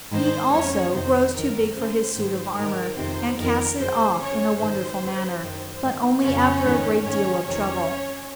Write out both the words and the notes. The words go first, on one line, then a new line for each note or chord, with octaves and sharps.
He, also, grows too big for his suit of armour, and casts it off in a wonderful manner, but only after a great deal of trouble.
G#2 D#3 C5
F2 D#3 C#4 C#5
F2 C3 D#3 C5
F#2 D#3 A#4
F#2 C#3 C5
G#2 D#3
G#2 D#3 A#4
F2 C3 D#3 C5
F2 D#3 A#4
F#2 C#3 C5
F2 C#3 C#4 C#5
G#2 D#3 C5
F#2 C#3
F#2 D#3 C5
G#2 D#3
F2 C#3 C#4 C#5
G#2 D#3
G#2 D#3 C#4 C#5
F2 C3 D#3 C#4 C#5